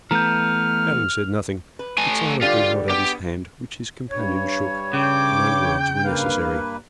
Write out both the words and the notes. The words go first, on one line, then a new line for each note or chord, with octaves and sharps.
Adam said nothing, but silently held out his hand, which his companion shook: no words were necessary.
E3 A3 B3 A#5 F6 G6
B4
A3 G#5
D3 G3 F4
B3 G4
G2 C#5
C#3 G5 D6
G2 A#3 B4 F5